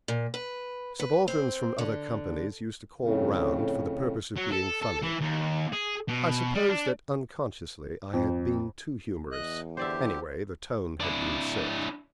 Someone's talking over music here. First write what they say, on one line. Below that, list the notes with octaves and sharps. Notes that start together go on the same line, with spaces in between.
Subalterns from other companies used to call round for the purpose of being funny; I suppose that unconsciously I had been too humorous--anyway, the tone had been set.
A#2
B4
B4
C4
D3
F2 A2 C#3
F#3
A4
A4
E3
D#2
G#4
B2
G3
D4
F2
E2 D#5 F#6
D3 G4 C5 D5 E5
D4 E4